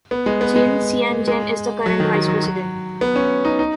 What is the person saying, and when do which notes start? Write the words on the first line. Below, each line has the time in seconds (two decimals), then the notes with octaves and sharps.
Chen Chien-jen is the current Vice President.
0.11 B3
0.26 G#3
0.41 B3
0.56 G#3
1.27 G#3
1.86 F#3
2.00 D#3
2.14 D#3
2.28 F#3
2.43 F#3
3.01 B3
3.16 C#4
3.45 D#4
3.59 D#4